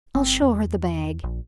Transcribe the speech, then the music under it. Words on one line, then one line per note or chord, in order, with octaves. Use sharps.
"I'll show her the bag."
G1 C4
E2
A#1